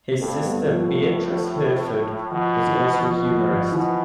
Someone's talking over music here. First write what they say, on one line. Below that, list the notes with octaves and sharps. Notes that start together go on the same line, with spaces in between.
His sister Beatrice Herford was also a humorist.
G2 A3 C4
G3 B3
A2
F3 A3
B2 F3
E3
B2 F3
F3
F3
B2 E3